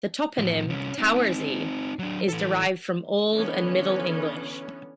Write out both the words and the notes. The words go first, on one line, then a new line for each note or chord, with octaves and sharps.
The toponym "Towersey" is derived from Old and Middle English.
A2 F3
C2 C#4
C4 D#4
F#3 D4
E3 A4
D3 E3 B3 C#4